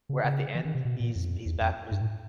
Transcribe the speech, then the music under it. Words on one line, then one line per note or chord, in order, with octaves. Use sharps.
where at the end, he's he's back with his
C#3
C#3
E3
D#3
C3
B2
A#2
F2
E2
F2
G2
A2